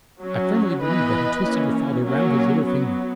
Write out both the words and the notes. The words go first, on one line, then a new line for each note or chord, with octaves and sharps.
I firmly believe that he twisted your father round his little finger.
F#3 C#4
E3 B3 B4 D#5
E3 A#3 C#4
F#3 A#3 C#4
F#3 B3